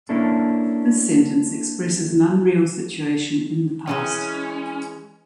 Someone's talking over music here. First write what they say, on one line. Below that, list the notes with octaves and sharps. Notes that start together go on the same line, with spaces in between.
This sentence expresses an unreal situation in the past.
A#3 C#4 D4 E4 A4
D3 E3 G#3 C#4